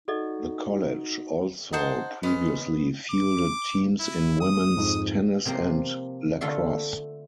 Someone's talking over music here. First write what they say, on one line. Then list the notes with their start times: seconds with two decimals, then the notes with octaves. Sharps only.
The college also previously fielded teams in women's tennis and lacrosse.
0.08 D#4 F#4 A4 D5 D#5
1.73 D#4 G#4 C5 F#5 A5
2.23 G#3 B3 C#4 G#4
3.10 D6
4.00 E4
4.40 D#6
4.77 F2 G#2
5.45 C3 F3 A#3 C4
6.41 D3 A3 F4 A4 E5 C6